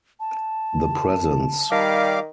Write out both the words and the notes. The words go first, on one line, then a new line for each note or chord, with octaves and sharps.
The presence.
A5
D#3 G3 F5 D6